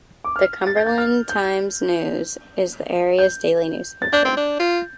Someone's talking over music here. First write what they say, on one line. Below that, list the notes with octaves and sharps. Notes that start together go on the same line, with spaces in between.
The "Cumberland Times-News" is the area's daily newspaper.
D6
F6
A6
G6
A6
F6
G6
G6
A6
D4 G6
C4
D4
F4